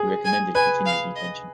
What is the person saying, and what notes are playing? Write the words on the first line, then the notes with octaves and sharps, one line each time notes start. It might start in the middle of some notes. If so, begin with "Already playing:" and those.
He recommended continued detention.
Already playing: G#4
G#5
B4 G#5
F5
D#5